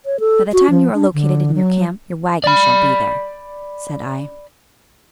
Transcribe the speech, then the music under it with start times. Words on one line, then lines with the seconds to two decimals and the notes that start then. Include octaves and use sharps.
"By the time you are located in your camp, your wagons shall be there," said I.
0.05 C#5
0.20 A4
0.52 F#4
0.70 F3
0.94 D4
1.14 D3
1.55 F#3
2.44 D5 B5